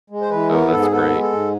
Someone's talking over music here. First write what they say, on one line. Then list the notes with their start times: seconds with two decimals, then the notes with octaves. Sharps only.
Oh, that's great.
0.10 G#3
0.22 C5
0.30 E3 B4
0.50 B3 A#4
0.71 G#2 A4
0.82 G#4
0.91 B3 A4
1.12 G#3
1.22 A4
1.32 G#2